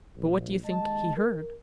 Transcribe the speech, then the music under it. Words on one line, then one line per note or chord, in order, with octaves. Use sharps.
But what do you think he heard?
A#1
D#2 G#3 D#5 A5
A#4